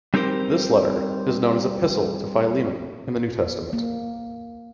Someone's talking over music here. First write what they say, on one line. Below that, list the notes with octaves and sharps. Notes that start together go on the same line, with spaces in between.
This letter is known as Epistle to Philemon in the New Testament.
G3 C4 D#4 G4 A#4 C5
A#3